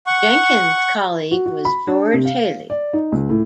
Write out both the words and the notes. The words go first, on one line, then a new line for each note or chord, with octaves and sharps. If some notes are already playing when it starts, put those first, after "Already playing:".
Jenkins' colleague was George Hele.
F#5 C#6
F#4
F#4
B5
D4
C3
F5
D5
D#4
C#2
A2